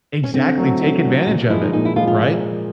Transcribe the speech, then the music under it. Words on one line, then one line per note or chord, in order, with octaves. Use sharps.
Exactly, take advantage of it, right?
C#4
D3 C4
F#3 A3
D3
F#3 A3
A#2 C#4
D4
F3 G#3 E4
D#4
A#2 D#4
E4
F3 G#3 F4
F4